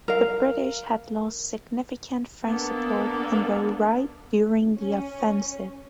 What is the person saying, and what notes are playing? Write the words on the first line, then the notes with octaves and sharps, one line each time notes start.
The British had lost significant French support on their right during the offensive.
A#4 F5
G#3 A#3 B3 D4 A4
C#4